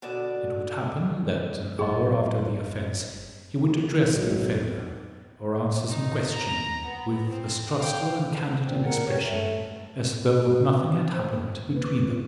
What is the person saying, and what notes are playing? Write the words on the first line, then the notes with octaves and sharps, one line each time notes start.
It would happen that an hour after the offense he would address the offender or answer some question with as trustful and candid an expression as though nothing had happened between them.
B2 D3 D5 A5
F#1 G#4 D#5
B1
D#4
A#5
B3
C4
F5 G5
E2 A#2 C4
A#2 A#4 F#5
E3 C#4 G4 C#5
A3
F#4
C4
C5
A#3
B4
F4